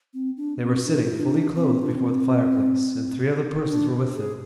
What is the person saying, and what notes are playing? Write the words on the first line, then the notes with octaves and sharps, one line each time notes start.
They were sitting fully clothed before the fireplace, and three other persons were with them.
C4
D4
C4
D4
F4
E4
D4
C4
D4
C4
D4
G#4